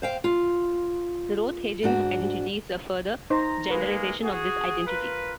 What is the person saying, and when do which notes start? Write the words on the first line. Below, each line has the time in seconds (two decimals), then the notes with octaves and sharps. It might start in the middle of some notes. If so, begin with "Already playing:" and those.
The Rothe-Hagen identity is a further generalization of this identity.
0.02 C5 F5 G5
0.24 F4
1.83 G#2 D4 F#4
3.30 D#4 C5 A#5
3.70 G#3 A#3 B4
4.22 F#4 G#4
4.87 F4 A#4 B4